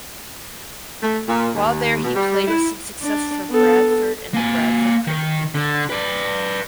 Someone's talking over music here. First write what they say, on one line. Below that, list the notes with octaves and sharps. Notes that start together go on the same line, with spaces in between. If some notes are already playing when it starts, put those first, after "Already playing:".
While there he played with some success for Bradford in the Bradford Cricket League.
A3
A#2
D#2
B2
G3
E4
D4
B3 A4
A#3 G#5
D#3
D3
B4 D5